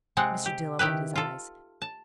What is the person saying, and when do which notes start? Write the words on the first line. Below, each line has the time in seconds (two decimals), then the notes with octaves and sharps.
Mr. Dill opened his eyes.
0.17 C3 G#3 C4 F#5
0.46 G4
0.79 D#3 E4 G4 B4
1.16 F4 A4
1.82 A5